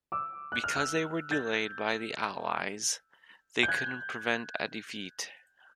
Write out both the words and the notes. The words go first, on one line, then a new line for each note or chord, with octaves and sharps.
Because they were delayed by the Allies, they couldn't prevent a defeat.
D6 E6
F#6
F6
E6 F#6
G6 A6
G6
F#6 G#6